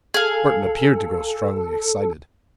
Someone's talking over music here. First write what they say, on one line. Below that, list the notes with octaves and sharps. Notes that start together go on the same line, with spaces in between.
Burton appeared to grow strongly excited.
G#4 A4 F5